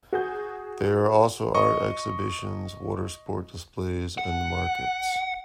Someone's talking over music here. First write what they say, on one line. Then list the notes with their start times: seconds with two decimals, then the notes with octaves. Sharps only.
There are also art exhibitions, watersport displays and markets.
0.13 F#4 G#4 G6
1.55 D#5 C#6
4.18 F#5